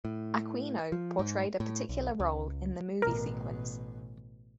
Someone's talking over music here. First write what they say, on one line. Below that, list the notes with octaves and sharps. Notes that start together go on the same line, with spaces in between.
Aquino portrayed a particular role in the movie sequence.
A2
F3
G#2
A2
B1
C#2
A1 B2 A#4